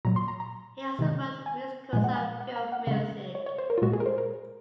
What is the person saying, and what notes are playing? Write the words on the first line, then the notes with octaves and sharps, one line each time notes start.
He also wrote musicals and film music.
A#2 F#3 A#5
C6
A#5
A#5
C3 D#3 G#3
G#5
A#2 F3 G#3 G#5
F#5
G#5
F#5
A#5
F#5
C#3 G#3 F5
C#5
C#5
C5
A#4
F4
A#2 G#3 F#4
G#4
A#4
C5
A#4